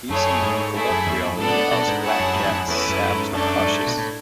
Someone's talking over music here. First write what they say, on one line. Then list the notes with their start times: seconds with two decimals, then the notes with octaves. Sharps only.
These are known colloquially as blackjacks, saps, or coshes.
0.09 F#2 A3 E4 G#4 C#5
0.42 G#2
0.75 A3 E4 G#4
0.90 F#2
1.06 E2
1.23 F#2
1.38 G#2 B3 D4 A4 D5 F#5
1.48 B2
1.55 A2
1.71 B2
1.87 G#2
2.03 E4 G#4 C#5 F#5 A5
2.20 F#2
2.35 G#2
2.44 E2
2.51 F#2
2.67 E2 A3 C#4 E4 B4
2.89 F#2
3.11 G#2
3.33 F#2 A3 D4 A4 D5
3.60 F#2
3.65 G#2
3.87 B2
3.97 A2